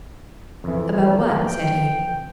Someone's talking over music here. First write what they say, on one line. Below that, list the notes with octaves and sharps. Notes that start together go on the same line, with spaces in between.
"About what?" said he.
F2 E3
G5